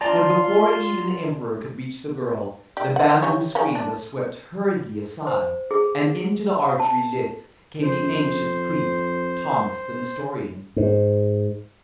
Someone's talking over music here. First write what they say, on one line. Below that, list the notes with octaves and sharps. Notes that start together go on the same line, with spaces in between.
But before even the emperor could reach the girl, the bamboo screen was swept hurriedly aside, and into the archery lists came the anxious priest, Thomas the Nestorian.
F4 D5 A5 A#5 C6
G4 D5
F#5
C4
E3 G4 C#5
G3 G#3 C#4
D4
C5
G#4
A5
F2 C5
G#2